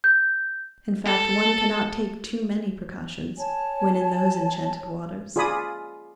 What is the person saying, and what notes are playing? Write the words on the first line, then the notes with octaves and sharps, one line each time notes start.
In fact, one cannot take too many precautions when in those enchanted waters.
G6
A4
C#5 G#5 A5
F4 G#4 D5 G#5 B5 D#6